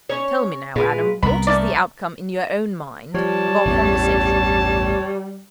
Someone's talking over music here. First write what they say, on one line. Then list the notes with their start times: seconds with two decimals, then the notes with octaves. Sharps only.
"Tell me now, Adam, what is the outcome, in your own mind, of our conversation?"
0.09 C#4 C#5
0.76 A#2 G#3 B4 F5
1.23 C2 B3 A#4 B5
1.47 A3 A#3 D5
3.14 F3 G3 C#5 A5
3.65 A1 E2 G2